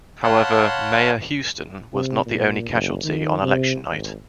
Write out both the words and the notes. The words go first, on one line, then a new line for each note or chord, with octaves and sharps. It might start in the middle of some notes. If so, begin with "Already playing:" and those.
However, Mayor Houston was not the only casualty on election night.
C#5 F5 F#5 A5 B5 C6
C3
A#2
F#1
D#3
C3
G#1